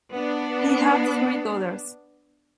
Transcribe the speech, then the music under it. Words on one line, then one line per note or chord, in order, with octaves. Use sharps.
He had three daughters.
B3 D4